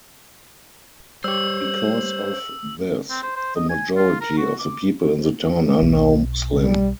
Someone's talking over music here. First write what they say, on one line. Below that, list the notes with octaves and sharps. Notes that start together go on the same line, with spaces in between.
Because of this, the majority of the people in the town are now Muslim.
G3 G4 C5 C#5 E6
C4
C5
C5
D#5
G#5
F4
A#4
F#4
D6
B1
G3